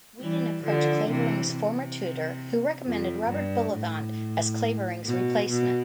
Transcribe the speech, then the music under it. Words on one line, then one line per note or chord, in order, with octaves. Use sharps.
Weedon approached Clavering's former tutor who recommended Robert Bullivant as Clavering's replacement.
E3 G3
D3 F3
C3 E3
C3
F2
G2
A2
B2
B2